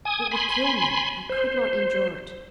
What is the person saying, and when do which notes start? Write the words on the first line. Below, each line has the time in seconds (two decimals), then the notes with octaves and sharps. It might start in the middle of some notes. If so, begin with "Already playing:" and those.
It would kill me; I could not endure it.
0.05 G#5 D#6
0.31 G#5 B5 C6
1.29 C5